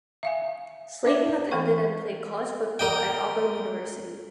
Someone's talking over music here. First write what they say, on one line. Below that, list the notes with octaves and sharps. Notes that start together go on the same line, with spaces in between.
Slayton attended and played college football at Auburn University.
E5 F5 G#5
D4 D5 E5 D6
E3 C4 A4 B4 G5 C#6
A#4 D#5 G5